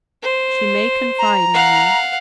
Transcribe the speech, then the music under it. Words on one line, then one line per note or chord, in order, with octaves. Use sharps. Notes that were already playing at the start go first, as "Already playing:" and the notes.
She may confide in you.
C5
A#5
F5 F#5